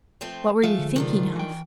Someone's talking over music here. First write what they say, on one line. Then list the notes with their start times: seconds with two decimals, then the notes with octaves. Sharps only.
"What were you thinking of?"
0.21 F3 A3 C4
0.63 F3 G#3 A3 E5 F5
0.79 D3
0.96 C3 D#3 D4 F4
1.36 E3 G5